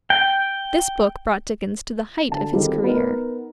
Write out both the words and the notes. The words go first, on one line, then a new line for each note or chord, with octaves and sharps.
This book brought Dickens to the height of his career.
G5
D3 A5
D#3 G3 C4 F4 G#4 A4
B3 D#4 A#4